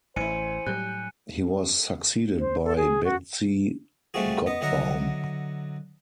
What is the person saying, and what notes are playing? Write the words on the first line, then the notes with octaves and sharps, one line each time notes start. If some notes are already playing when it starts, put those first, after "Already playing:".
He was succeeded by Betsy Gotbaum.
A1 E3 E4 C5 G#5 C#7 D#7
A2 F#3 G3 F#6 G6
C5
A4
G#4
F#4
G3 A3 C4 F4 F#4 G#4
B3 D#5
D3 F#3 D#5 E5 F#5 A#5